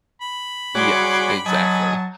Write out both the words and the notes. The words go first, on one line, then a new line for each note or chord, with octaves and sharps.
Yes, exactly,
B5
G3 F#4 G#4 C#5 C6 D6
F#3 D#5 G#5 A5